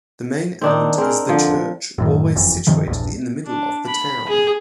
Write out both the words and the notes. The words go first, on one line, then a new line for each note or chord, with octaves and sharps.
The main element is the church, always situated in the middle of the town.
D#3 C4 D4 D#4
C4 G#4 A#4
D3 F3
F#2 A2 D#3
F#1 F2 E3
G2 C3 D#3 F3
A#1 E2 G2
D4
B5
G#4